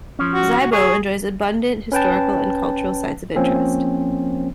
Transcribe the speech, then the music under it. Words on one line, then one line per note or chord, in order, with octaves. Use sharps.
Zibo enjoys abundant historical and cultural sites of interest.
F3 C#4
F#4
C#2 F#4
G#4 C#5
C#4 B4 G5 A5
F3 A#3 C4 C#4